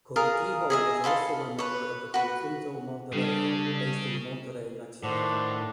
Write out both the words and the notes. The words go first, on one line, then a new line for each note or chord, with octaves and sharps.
Cortijo was also a member of the Conjunto Monterrey, based in Monterrey, Mexico.
F4 G#4 A#4 F5
G#4 D#5 E5
A4 F5 B5 C6
B4 C#5
F#4 B4
C#3 G3 D4 A4
A2 D#3 D4 A4 C5 F#5